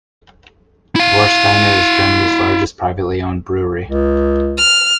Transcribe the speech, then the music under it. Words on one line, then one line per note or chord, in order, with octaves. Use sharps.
Warsteiner is Germany's largest privately owned brewery.
E4 F5
C#2
F6